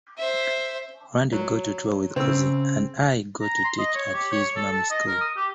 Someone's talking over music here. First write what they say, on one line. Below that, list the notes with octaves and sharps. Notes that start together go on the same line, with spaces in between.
Randy got to tour with Ozzy...and I got to teach at his mom's school.
C5 E5
F#3
C#3 C4 E6
A#5
C6
D#5
C#5
G4
C#5
A4
A5
D#5
A#4
D#6
G4